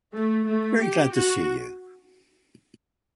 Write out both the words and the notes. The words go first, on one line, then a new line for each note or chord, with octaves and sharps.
Very glad to see you.
A3
A3
G4
F#4